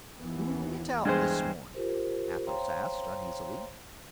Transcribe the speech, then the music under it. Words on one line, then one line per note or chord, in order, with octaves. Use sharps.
"Who went out this morning?" Athos asked, uneasily.
D#2 E3 B3
E2 G2 G#3 C5
F4 G4 A#4 C5
C5 C#5 F5 G5 A#5 C6